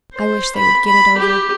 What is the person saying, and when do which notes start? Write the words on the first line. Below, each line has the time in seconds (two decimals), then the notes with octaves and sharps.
I wish they would get it over!
0.14 C5
0.56 B5
0.87 B5
1.18 G4